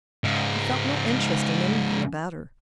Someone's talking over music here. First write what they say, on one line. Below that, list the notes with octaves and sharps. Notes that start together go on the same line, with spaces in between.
She felt no interest in anything about her.
G#2 C#3